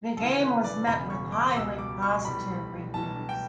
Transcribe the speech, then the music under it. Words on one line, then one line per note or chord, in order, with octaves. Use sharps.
The game was met with highly positive reviews.
D2 C#3 E3 A4
B4
D5
E1 E2 C#3 B5
C#6
D6
C#2 B2 G3 E6
D6
C#6
B1 A2 E3 G3 B5
B1 A2 E3 G3 A5
G5